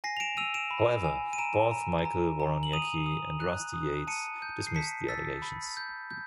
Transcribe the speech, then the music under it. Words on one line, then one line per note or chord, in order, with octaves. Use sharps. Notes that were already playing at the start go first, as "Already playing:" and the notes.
However, both Michael Woroniecki and Rusty Yates dismissed the allegations.
G#5 A#6 C7
F7
D7 E7
E6 D#7 F7
D7 E7
B5
G#5
D#7
A#5 D7 E7
A#5
A#5
A#5
F#7
D#6 D#7 F7
D#6
F#6
D#6
A5 C#7 D#7
G6
C7
A5 B6 C#7
E6 A6 B6
B5
G6
G6